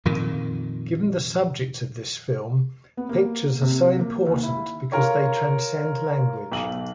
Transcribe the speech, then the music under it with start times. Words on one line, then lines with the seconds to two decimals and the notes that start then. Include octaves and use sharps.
Given the subject of this film, pictures are so important because they transcend language.
0.05 F2 A#2 D#3
2.97 B3
3.09 A#3
3.62 C3
3.99 A#3
4.26 D#2
4.43 E4
4.92 F4 A#4 C#5
6.52 B1 F#7